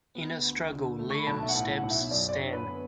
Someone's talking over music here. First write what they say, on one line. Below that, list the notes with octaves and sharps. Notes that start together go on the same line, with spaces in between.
In a struggle, Liam stabs Stan.
B3
D2
D3
A3
C#6
B5
B1 A5
E5
F#5
A2
F#5
B1
E5
F#2 D5
D5
C#5
D3
B4
B3